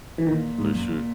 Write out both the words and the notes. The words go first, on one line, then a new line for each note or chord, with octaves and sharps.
For sure.
E3
A#2 D#3
G#2
F#2